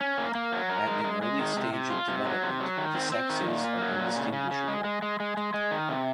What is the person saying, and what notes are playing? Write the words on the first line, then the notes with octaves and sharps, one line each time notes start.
At an early stage of development the sexes are indistinguishable.
C#4
A#3
A#3
F#3
A#4
G#3
G#3
G#3
D#3
C3
C3
F4
C3
F#3
C3
F#3
D#3
C4
C4
D#3
A#2
A#3
F#3
A#2
C#3
C#3
C#3
G#3
G#3
G#3
G#3
G#3
G#3
D#3
C3